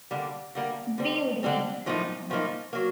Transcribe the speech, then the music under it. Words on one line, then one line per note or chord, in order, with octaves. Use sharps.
B would win.
D3 G3 A#3
D3 G3 A#3
D3 G3 C4
D3 G3 C4
A2 F3 A#3 D#4
A2 F3 A#3 D#4
F#3 A#3